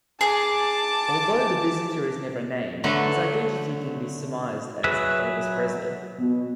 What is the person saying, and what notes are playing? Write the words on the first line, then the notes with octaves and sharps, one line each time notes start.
Although the Visitor is never named, his identity can be surmised as Elvis Presley.
G#4 A5 D6
D3 F#3 A3 B4
F#3 G#4 B4 E5
B2